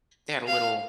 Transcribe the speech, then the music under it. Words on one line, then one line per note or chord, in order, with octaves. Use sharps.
they had a little
F5